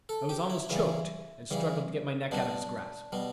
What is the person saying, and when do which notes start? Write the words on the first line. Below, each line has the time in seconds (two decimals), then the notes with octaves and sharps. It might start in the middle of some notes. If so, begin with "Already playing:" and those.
I was almost choked, and struggled to get my neck out of his grasp.
0.09 A4
0.29 G4
0.50 E4
0.70 C#3 E3 G3
1.51 C#3 E3 G3
2.31 B2 G3 D4
3.12 B2 G3